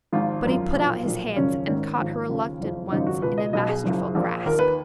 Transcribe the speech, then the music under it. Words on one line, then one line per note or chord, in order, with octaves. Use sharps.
But he put out his hands and caught her reluctant ones in a masterful grasp.
G#1 G#2 F3 F4
G#1 F#2 F3
B1 A#2 F3
B1 A#2 F3
G#1 F#2 C#3 F3 C#4
G#1 G#2 D#3 C#4
G#1 G#2 F3
D#2 C#3 F3
F#1 F2 F3
G#1 F#2 C#3 F3 D#4
F#4
C#2 B2 B4
D#5
B1 B2 D#5
G#4
F#1 F#2 F3
A#1 A#2 F3
D#2 D#3 A#4
B4